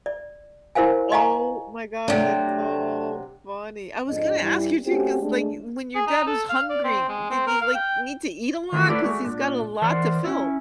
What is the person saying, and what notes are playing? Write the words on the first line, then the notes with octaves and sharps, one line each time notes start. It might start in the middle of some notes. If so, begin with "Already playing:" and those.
Oh my gosh, that's so funny. I was gonna ask you too 'cause, like, when your dad was hungry, did he, like, need to eat a lot? 'Cause he's got a lot to fill.
D5
E4 A#4 C5 F5 G#5
D#5 F5 G#5 A#5 C#6
C3 F#3 A3 D4
F2 G#2 D4 D#5
G2 E3 G3
A3 C4 C#4 F#4 G4
G#3 A3 D4
G#4
D#4
A4
F5
D5
C4
G#3
C4
A#4
F5
G5
D#3 E3 A3 C4 F4 A#4
A3 E4 F#4 A#4 B4 D5
G#3 A3 F#4
A#2 D4
E3 A#4 C5 D5 F#5
C#4 E4